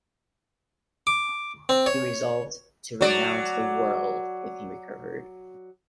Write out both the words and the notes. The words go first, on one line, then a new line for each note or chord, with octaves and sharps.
He resolved to renounce the world if he recovered.
D6
C4
C#5
F#3 D5